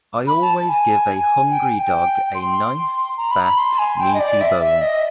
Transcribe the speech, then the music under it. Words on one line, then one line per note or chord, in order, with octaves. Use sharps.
I always give a hungry dog a nice, fat, meaty bone.
B5
A5
G#5
G5
G#5
G5
C6
A#5
B5
B5
C6
G#5
G5
D#5
D5
E5
E5
D#5